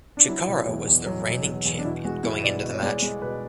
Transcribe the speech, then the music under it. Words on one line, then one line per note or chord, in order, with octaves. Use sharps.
Chikara was the reigning champion going into the match.
D4
F#3 E4
B2
E2
E2
F#3
B2
E2
E2
D4
B2 E4
G#3 F#4
G#3 E4
B2 D5
B2
C#5
G#3 D5
G#3
B2 B4